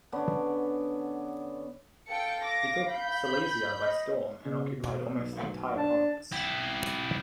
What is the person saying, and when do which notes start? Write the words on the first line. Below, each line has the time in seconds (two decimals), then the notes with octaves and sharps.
He took Silesia by storm and occupied almost the entire province.
0.12 D3 B3 C#4
2.09 A4 F5 G5 C#7
2.44 D6 A#6
2.90 B5 G6
3.81 D#5
4.46 C#3
4.78 B2
5.16 B1
5.77 D4 A5
6.32 E4 G4